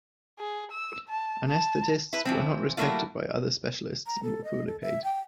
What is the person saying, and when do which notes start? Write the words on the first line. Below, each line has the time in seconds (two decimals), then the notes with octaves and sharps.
Anaesthetists were not respected by other specialists and were poorly paid.
0.39 G#4
0.72 E6
1.09 A5
1.49 A5
2.13 E4 B4
2.25 E3 F3 C4
2.77 F#3 G3 A3 A#3 E4 F4
4.06 A#5
4.23 A4
4.44 D#5
4.67 A4
4.82 E5
5.04 G5